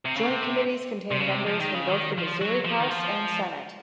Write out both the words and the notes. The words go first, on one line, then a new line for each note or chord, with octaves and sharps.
Joint Committees contain members from both the Missouri House and Senate.
C3
C#3
C3
C3
C#3
C3
F3
D#3
C#3
D#3
F3
F#3
F3
D#3
F3